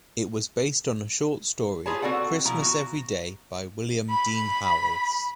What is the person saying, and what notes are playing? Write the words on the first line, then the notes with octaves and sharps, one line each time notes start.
It was based on a short story, "Christmas Every Day" by William Dean Howells.
D#4 F4 G#4 B4 C#5 A5
C4 F#4 A4 D5 F#5
B2 F3 E4 A#5
F#4
B5